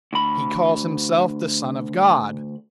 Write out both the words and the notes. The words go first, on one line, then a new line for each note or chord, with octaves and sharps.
He calls himself the son of God.
D2 B5